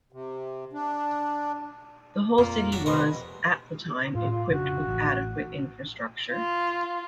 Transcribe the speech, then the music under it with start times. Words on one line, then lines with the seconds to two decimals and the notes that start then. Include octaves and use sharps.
The whole city was, at the time, equipped with adequate infrastructure.
0.13 C3
0.73 D4
2.38 F2 A#2 A#3 F4 A#4
2.72 F3 F#3 G#3 D4 F#4 E5
2.86 C2 B2 G3 A#4 B4 D#5 C6
4.15 A2 F4
4.30 F4
4.49 F1 C#3 D4 F#4
4.87 A1
6.32 F4